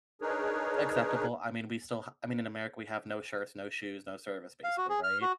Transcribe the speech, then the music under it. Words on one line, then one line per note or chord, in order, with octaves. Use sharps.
acceptable, I mean, we still h I mean, in America we have no shirts, no shoes, no service, basically, right?
D4 D#4 G#4 A#4 B4 C#5
F5
F#4
G#4
F6
F#4